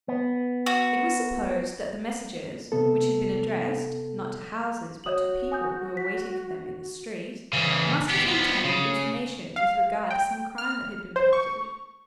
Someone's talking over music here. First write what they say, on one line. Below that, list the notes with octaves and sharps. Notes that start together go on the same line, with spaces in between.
It was supposed that the messages, which had been addressed, not to houses, but to people who were waiting for them in the street, must have contained information with regard to some crime that had been plotted.
B3
F#4
C3 B3 A4
F#4 C#5 D#6 F#7
G#5 D#6 G6
B6
C#3 E3
B3 G4
F3 B3
C#3
F5
G5
F6
C5
C#6